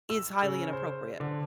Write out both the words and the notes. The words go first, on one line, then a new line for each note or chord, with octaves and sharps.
is highly inappropriate.
E6
C#3
C5
D3